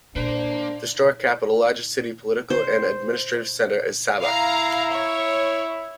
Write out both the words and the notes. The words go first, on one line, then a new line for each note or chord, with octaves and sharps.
The historic capital, largest city, political and administrative centre is Sabha.
A#2 A#3 D4 C5
C5
E4 F5 A#5
C#5